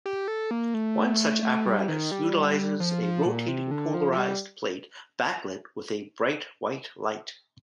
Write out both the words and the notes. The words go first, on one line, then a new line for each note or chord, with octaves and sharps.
One such apparatus utilises a rotating polarised plate backlit with a bright white light.
G4
A4
A#3
A3
A3
G3
D#3
G3
F3
F3
A#2
C3
D3
F3
F3
G3